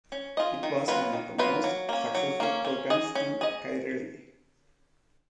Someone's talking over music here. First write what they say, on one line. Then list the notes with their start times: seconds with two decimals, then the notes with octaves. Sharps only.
It was one of the most successful programs in Kairali.
0.12 C#4
0.37 F4 G#4 D#5
0.63 D#3
0.88 F#3 A#3 F4 B4
1.13 D#3
1.38 F#3 A#3 F4 B4
1.64 F#3
1.89 A#3 C#4
2.15 F#3
2.40 A#3 C#4
2.65 C#4
2.90 G#4 D#5
3.15 C#4
3.41 G#4 D#5